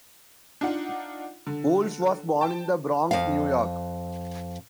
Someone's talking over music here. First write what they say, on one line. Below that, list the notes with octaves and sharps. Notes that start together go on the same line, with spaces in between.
Wolf was born in the Bronx, New York.
D4 D#4 F4 F#5
D3
G5 A5
F2 F5